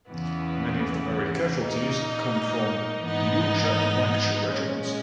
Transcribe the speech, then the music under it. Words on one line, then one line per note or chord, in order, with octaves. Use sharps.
Many of the buried casualties come from the Yorkshire and Lancashire Regiments.
E2 C#3 E3 B3
A#2 A#3 D#4
G#2 E3 B3 D#4
A#2 G#3 C#4